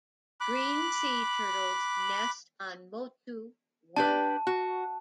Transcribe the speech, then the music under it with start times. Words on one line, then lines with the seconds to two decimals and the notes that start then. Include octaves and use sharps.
Green sea turtles nest on Motu One.
0.41 B5 D6 F#6
3.96 D4 G4 B4 A5
4.47 F#4